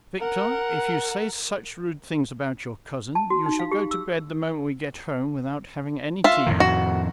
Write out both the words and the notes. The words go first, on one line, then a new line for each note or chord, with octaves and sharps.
"Victor, if you say such rude things about your cousin, you shall go to bed the moment we get home, without having any tea."
A#4 F#5
A5
F#4
D#4
F5
G4
E6
F4 E5
F2 A2 D#3
F#4